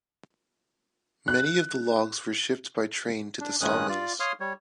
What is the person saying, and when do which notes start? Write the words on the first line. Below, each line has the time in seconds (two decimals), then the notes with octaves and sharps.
Many of the logs were shipped by train to the sawmills.
1.28 F#6
3.40 D4
3.61 G2 D#3 G#3 C#4 D#6 F#6
3.89 F4 D5
4.20 C#5 F5 C6 D#6 F6
4.40 G3 C#5